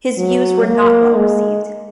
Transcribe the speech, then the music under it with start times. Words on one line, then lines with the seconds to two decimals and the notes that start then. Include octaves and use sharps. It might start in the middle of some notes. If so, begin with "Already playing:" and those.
His views were not well received.
0.17 F#3
0.66 A#3
1.16 G#3